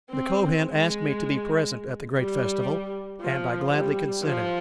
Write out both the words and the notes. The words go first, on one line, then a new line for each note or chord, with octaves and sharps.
The Kohen asked me to be present at the great festival, and I gladly consented.
C4
G#3
G3
F3
G3
F3